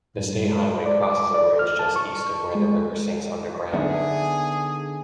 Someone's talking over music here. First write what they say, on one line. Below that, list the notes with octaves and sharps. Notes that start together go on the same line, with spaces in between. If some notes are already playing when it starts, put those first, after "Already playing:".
The state highway crosses a ridge just east of where the river sinks underground.
G2
G#3
D5
D6
D5
F6
A5
C#6
G#3
D3 B3 D#4 G#4 E5